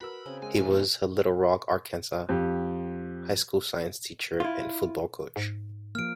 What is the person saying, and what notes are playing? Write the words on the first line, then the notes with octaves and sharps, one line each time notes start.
He was a Little Rock, Arkansas, high school science teacher and football coach.
F#4 A#4 B4 B5 E6
C#3 C4 D#5
G#3 G#5
F#1 E3 F4
A3 A#3
F2 G4
E4 F4
G#2
F3 A#3 F6 D7